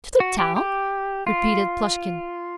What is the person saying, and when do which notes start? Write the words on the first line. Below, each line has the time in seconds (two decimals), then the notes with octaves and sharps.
"To the town?" repeated Plushkin.
0.20 F#4
0.39 G4
0.56 G4
1.27 F4